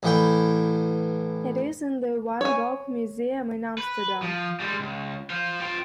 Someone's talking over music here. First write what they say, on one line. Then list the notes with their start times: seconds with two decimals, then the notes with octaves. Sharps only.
It is in the Van Gogh Museum in Amsterdam.
0.03 A1 E3 G5
2.41 C#5 G#5
3.78 B4
4.22 F3
4.60 G3 G#3
4.80 C#2
5.30 C5 F5
5.60 F4 G5